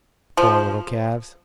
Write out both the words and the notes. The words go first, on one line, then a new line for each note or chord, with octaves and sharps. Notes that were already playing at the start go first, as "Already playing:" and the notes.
Poor little calves!
F3